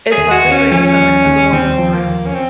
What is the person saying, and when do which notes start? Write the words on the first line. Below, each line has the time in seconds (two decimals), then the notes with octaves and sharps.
Its lightly raised summit has a war memorial.
0.12 G#4
0.18 D#2
0.31 F#4
0.45 D#2
0.51 C#4
0.72 F3 C#4
1.00 D#2
1.26 D#2
1.53 D#2 C4
1.79 F3
1.94 A#3
2.07 D#2
2.26 C#4
2.34 C4